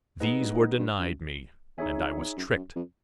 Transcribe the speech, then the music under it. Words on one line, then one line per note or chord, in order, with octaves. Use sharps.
These were denied me, and I was tricked.
G#2 B3 D#4 G#4 B4 D#5
G2
A2
G#2
G2
F#2
E2 D#4 G#4 C#5 E5 G#5
F2
E2
F#2
F#2
F2